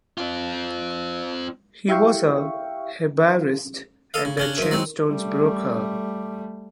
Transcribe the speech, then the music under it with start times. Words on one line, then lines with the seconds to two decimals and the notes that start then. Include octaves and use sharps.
He was hebraist and gemstones broker.
0.18 C4 F4
1.88 E4 G4 E5 F5 G5 C#6
4.14 A4 D#5 F5
4.25 C#3
4.37 C#3 C#4 D4
4.58 F#2 F3
4.71 F#3 G#3 C4
5.09 G3 A3